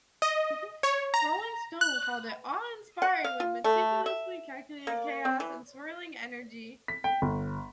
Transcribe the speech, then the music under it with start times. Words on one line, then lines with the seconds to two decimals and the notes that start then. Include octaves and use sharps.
"Rolling Stone" called it "awe-inspiring" with "meticulously calculated chaos" and a "swirling energy".
0.22 D#5
0.83 C#5
1.14 A#5
1.81 F#6
3.02 F#5
3.24 F5
3.40 F4
3.64 A3
4.06 E5
4.87 A#3
5.25 C4
5.40 E3
6.88 B6
7.04 G5
7.22 G1